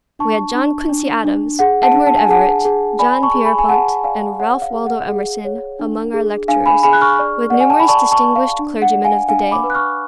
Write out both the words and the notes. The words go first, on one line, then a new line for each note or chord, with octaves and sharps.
We had John Quincy Adams, Edward Everett, John Pierpont, and Ralph Waldo Emerson among our lecturers, with numerous distinguished clergymen of the day.
D4 A5 C#6
D4
D4
D4
G#4 F#5
F#5 A5
D4
A5
G#5
G#4 F#5 A5
G#4
D5 G#5 B5
A5 C#6
G#4
G#5 B5
G#5
G#4 F#5 A5
D5 F5 G#5
C#5 F#5
F5
G#4
F#5
G#4
C#5
D4
G#4
D4 F5 G#5
G#5 B5
G#4 G#5 B5
F#6
C#6 F6
D5
D5 F#5
G#5
A5
B5
D5 A5 C#6
A5 C#6
D5
F5
D4
F#5
D5
F5 G#5
D4 F5 G#5
B5 D6
B4
F#6
C#6 F6